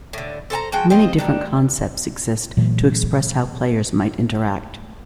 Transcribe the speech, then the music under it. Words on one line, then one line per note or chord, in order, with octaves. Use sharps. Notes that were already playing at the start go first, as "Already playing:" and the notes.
Many different concepts exist to express how players might interact.
A2 D3
A4 C5 G#5 A#5
F3 G#3 F#4 G5
C4 F4 D#5
D#3 D4
A#2 E3 F#3 A3